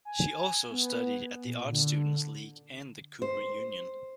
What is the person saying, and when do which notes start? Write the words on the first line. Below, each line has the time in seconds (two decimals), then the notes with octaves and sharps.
She also studied at the Art Students League and the Cooper Union.
0.05 G#5
0.71 B3
1.45 A#2
1.71 D3
3.22 C5